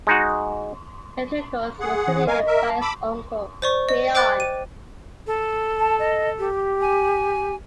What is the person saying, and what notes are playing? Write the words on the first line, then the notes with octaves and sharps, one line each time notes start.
Eteocles was succeeded by his uncle, Creon.
G#3 D#4 F#4
G#4 F#5
E3
A#4 D#5 F5 G#5
A#4 E5
A5
B5 D6 E6
C5 D5 C#6
D#5
C5 G5 D6 F#6 A6
D#7
A4
A5
D#5
G4
G#5